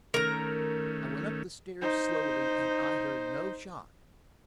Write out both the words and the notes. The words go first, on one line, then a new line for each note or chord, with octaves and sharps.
I went up the stairs, slowly, and I heard no shot.
D#3 A3 C#4 A#4 A#5
D#4 C5